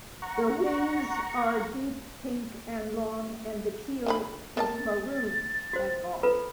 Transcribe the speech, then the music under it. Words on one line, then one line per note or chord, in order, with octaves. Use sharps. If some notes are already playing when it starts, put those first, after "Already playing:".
The wings are deep pink and long and the keel is maroon and long.
F#5 A#5 C#6
D3 F3 B5
A#3 D#5 A5 A6
F#4 C5
F4 A4 B4